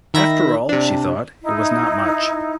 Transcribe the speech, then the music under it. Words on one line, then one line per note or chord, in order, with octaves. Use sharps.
After all, she thought, it was not much.
D#3 E5 B5 A#6
C3 D4
D#4 E4